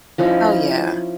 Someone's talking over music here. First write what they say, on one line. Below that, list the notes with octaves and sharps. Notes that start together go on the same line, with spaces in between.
Oh yeah.
F3 C#4 D#4 E4